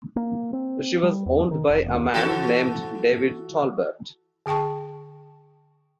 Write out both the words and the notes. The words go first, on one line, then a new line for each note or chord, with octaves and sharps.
She was owned by a man named David Tolbert.
A#3
C4
G3
E2
D#3
F1
D#2
E3 F#4 A4
D3 G#4 G5 A5 C#6